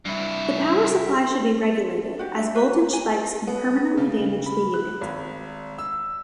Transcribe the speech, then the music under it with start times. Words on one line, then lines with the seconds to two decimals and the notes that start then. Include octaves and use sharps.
The power supply should be regulated, as voltage spikes can permanently damage the unit.
0.06 G2 E4
2.18 D4 F#4 G4
2.37 D4 E5
2.55 F4 F#4 B4 C5
2.91 G4 G#5 A#5
3.47 B3
3.97 C#3
4.46 B5
4.74 F#6
5.01 G#1
5.78 E6